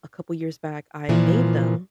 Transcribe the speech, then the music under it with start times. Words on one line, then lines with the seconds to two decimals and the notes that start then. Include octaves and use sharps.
a couple years back, I made them,
1.09 A#2 E3 F3